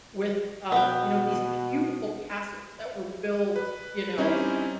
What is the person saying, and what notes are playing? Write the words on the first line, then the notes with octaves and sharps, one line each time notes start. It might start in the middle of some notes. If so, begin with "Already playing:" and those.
with, um, you know, these beautiful castles that were built, you know,
B2 B3 G5
B4
G3 C4 C#4 D#4 E4